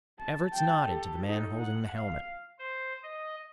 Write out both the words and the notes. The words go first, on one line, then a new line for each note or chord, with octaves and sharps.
Everts nodded to the man holding the helmet.
A5
G5 A5
G4 A4
D#4 A4
F#5
F5
C5
D#5